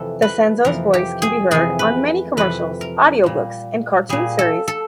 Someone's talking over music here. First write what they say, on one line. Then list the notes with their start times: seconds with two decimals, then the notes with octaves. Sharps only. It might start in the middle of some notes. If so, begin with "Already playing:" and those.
DiCenzo's voice can be heard on many commercials, audiobooks, and cartoon series.
Already playing: F2 C3 E3 A4
0.22 B4
0.65 F2 C3 E3 A#4
0.94 G4
1.22 G#4
1.51 F2 C3 E3 G#4
1.79 B4
2.37 F2 C3 E3 B4
2.81 A#4
3.24 A#2 G3
4.09 A#2 G3 G#4
4.39 A4
4.68 A4